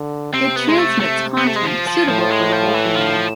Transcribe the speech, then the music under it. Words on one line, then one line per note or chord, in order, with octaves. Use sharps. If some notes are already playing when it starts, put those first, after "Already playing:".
It transmits content suitable for the whole family.
Already playing: D3
C3 C4
B3
G#3
A3
A3
B3
A3
G#3
F3
F3
A2 F3
G#3
F3
E3
F3